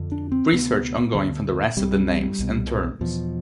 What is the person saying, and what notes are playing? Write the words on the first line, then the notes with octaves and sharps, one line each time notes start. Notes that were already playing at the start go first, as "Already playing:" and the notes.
Research ongoing for the rest of the names and terms.
Already playing: F2 D3
D4
C4
D2 C3 B3
D2 D3
C2 C3 G3
C2 B2
E2 B2 F3